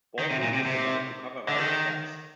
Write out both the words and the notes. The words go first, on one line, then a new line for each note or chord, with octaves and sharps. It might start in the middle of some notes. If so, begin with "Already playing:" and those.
Baldwin used the money to cover various debts.
D#3
C3
A#2
C3
C3
D3
D#3